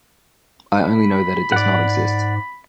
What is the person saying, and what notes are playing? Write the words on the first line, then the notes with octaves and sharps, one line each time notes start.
I only know that it does not exist.
B5
G#2 D5 F#5